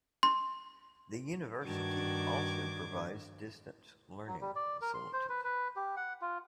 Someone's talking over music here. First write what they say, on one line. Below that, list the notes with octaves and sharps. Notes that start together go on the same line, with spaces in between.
The university also provides distance learning facilities.
C6
G2 D#3 D4 F#4 D6 G#6
F#3
G3
D5
A#4
C6
C5
B4
B4
G4
F#5
F4